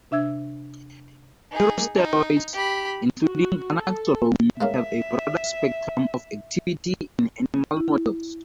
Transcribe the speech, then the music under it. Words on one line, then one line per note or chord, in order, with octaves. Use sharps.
Neurosteroids, including ganaxolone have a broad spectrum of activity in animal models.
C3 D4 E5 E6 G#6
D#4 G#4
D#4
G4 B5
F#4
A4
G#3 A#3 C#4 E5
E4